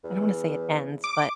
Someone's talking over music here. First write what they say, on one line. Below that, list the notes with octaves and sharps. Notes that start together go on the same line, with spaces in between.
I don't wanna say it ends, but,
E2
D6